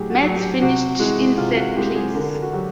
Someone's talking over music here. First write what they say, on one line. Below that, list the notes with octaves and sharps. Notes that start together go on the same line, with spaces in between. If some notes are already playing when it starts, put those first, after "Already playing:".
Metz finished in third place.
Already playing: A2 F#3 G4 G#4
F#4
F#3
G4
C3 F#4
E3 G#3 F#4
C3 F4
F#4
E3 G#3 G4
G#4
D3 A#4
F#4
F#3 G4